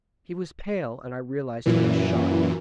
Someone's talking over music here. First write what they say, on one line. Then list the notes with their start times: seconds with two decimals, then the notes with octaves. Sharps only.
He was pale, and I realized he was shocked.
1.66 F#2 A#2 E3